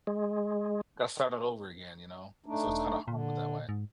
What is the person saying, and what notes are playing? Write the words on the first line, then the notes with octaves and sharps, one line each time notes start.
gotta start all over again, you know, and so, it's, kinda, hard with that way,
G#3
A3 D4 D#4
E1
A#2 D3
G#2